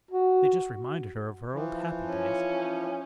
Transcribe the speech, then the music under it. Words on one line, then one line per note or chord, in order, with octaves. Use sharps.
They just reminded her of her old happy days.
F#4
E3 F3
C#4